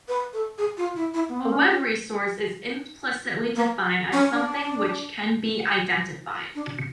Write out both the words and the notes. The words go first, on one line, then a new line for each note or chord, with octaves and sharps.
A web resource is implicitly defined as something which can be identified.
B4
A4
G#4
F4
E4
E4
B3
C4
C#4
C#4
A#3
C#4
D4
D4